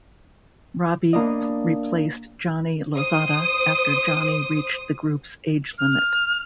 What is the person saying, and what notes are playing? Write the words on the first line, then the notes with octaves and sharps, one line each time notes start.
Robi replaced Johnny Lozada after Johnny reached the group's age limit.
A#3 B3 D4 D#5
C5 D#6
F6